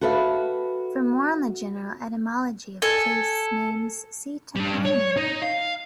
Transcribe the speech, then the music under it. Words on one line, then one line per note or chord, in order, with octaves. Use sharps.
For more on the general etymology of place names see toponymy.
F#4 A4 B4 E5 F5
A4 G#5
G3 D4
C#5
D#4
F5